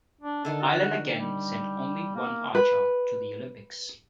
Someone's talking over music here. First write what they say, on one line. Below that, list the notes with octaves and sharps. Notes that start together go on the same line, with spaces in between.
Ireland again sent only one archer to the Olympics.
D4
D3 D#3 A4
F#4
G3
A#3
B4